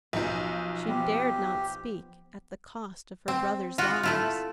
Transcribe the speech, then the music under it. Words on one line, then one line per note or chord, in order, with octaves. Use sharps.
She dared not speak, at the cost of her brothers' lives.
B1 F3 D#4
B3 G4 C5
C4
F4 F#4
A3 E4 F4